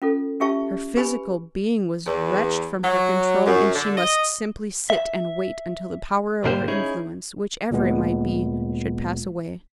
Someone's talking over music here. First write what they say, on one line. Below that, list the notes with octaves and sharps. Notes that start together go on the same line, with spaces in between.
Her physical being was wrenched from her control, and she must simply sit and wait until the power or influence, whichever it might be, should pass away.
C#4 F4 A4
C#4 F4 G4 E5 A5 C#6
G4 B4 G#5 B5
E2
F#3
F#2
D3
D#5
E5
B1 G#2 D3 A#3 G4 C5
C#4 D#4 E4 G#4 C#5
D2 A#2 G#3 B3